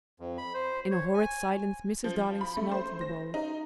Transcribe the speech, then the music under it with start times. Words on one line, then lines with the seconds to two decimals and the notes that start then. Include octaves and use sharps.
In a horrid silence Mrs. Darling smelt the bowl.
0.20 F2
0.38 B5
0.54 C5
0.91 C#5
1.14 G#5
2.04 F3
2.41 B5
2.57 A3
2.71 C5
3.01 A#6
3.34 D#4